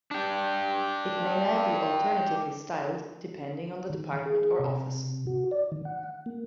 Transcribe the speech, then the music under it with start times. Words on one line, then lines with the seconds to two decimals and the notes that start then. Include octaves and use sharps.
It may now be alternatively styled, depending on the department or office.
0.11 D4 G4
3.90 D#3
4.26 G#4
4.59 C3
5.27 F#4
5.51 D5
5.72 D#3
5.85 F#5
6.26 A#3